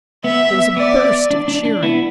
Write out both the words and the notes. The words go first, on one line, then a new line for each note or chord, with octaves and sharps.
There was a burst of cheering.
B3 E5
B3 D5
D4
D4
D4
B3 E4